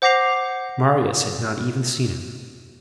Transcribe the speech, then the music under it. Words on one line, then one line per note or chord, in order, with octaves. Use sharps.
Marius had not even seen him.
C5 F#5 D6 A#6 C7 F7